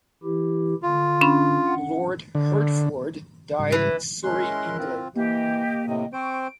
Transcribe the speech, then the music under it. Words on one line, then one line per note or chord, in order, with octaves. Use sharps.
Lord Hertford died in Surrey, England.
E3 E4 G4
D3 F4
C#4 D4 B5
F#5
D3
G#2 C#3 G3
E3
G#3 C#4 E4 A#4 C6 F#6
C4 F4
E3 A#3 G4 D#5
A2 C3 D#5 G5
C4 C5 C#6 D7